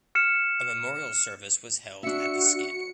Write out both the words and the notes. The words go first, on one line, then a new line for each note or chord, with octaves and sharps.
A memorial service was held at the Scandal!
F6 C#7 E7
D4 F#4 E5 C#7